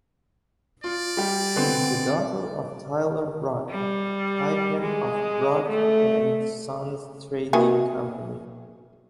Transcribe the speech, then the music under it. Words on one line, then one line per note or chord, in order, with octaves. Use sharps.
She is the daughter of Tyler Brock, Tai-pan of Brock and Sons Trading Company.
F4 D5
G3 G4
D3 B3 C4
G3
G#3
A3
D#3 E3 A#3 F#4 A#4 G#5